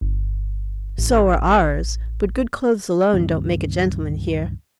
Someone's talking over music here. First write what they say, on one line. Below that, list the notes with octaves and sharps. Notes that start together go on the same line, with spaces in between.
'So are ours; but good clothes alone don't make a gentleman here.
G1
A1
C#2 G2 D#3 C4